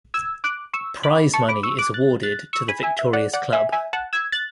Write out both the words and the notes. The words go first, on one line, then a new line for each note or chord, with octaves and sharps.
Prize money is awarded to the victorious club.
E6 G#6
D6 F#6
C#6 E6
B5 D6
A5 C#6
B5 D6
C#6 E6
D6 F#6
F#6 A6
F#6 A6
C#6 E6
G#5 B5
E5 G#5
E5
D5 F#5
D5 F#5
E5 G#5
E5 G#5
F#5 A5
E6 G#6
F#6 A6